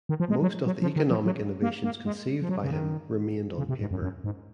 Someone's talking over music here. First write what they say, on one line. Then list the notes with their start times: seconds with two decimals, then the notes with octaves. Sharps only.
Most of the economic innovations conceived by him remained on paper.
0.09 D#3
0.20 F3
0.30 G#3
0.42 F#3
0.66 F#3
0.82 F3
0.96 D#3
1.11 F3
1.26 F#3
1.62 A#3
1.84 A#3
2.05 G#3
2.42 F3
2.49 F#3
2.63 C#3
2.71 D#3
3.58 C#3
3.69 C3
3.81 G#2
3.91 F#2
4.02 F#2
4.24 G#2